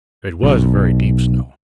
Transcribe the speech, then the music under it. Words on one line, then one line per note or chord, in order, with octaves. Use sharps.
It was a very deep snow.
B1